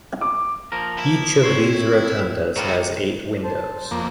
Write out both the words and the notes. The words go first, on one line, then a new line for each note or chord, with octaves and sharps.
Each of these rotundas has eight windows.
D6
F3 A#3 A#4
E4
C4 C#5 C6
A2 F#3 G3 F4 F#4
C5 A5
F2 A#3